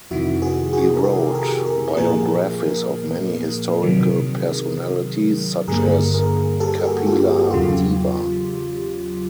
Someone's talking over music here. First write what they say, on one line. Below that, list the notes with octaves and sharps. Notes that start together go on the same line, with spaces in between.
He wrote biographies of many historical personalities, such as "Kapila Deva".
F2 C3 D#3 E4 F#4
F#4 G#4
F#4 G#4
A#4
G4 A4
G#4 A#4
G#4 A#4
A#2 F3 A#3 G#4 A#4
C3 D#3 F#3
G2 D3 G3 A#3 G#4 A#4
G#4 A#4
G4 A4
F#4 G#4
F#4
F4 G4
G4
F#4
E2 C#3 F#3 F4 G4